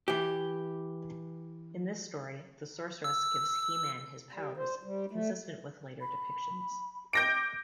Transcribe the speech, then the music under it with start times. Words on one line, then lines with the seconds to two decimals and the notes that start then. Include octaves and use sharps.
In this story, the Sorceress gives He-Man his powers, consistent with later depictions.
0.08 E3 G4
3.04 E6
4.32 G3
4.57 C5
4.83 G3
5.11 A3
6.01 B5
7.13 D6 G6 A#6 D7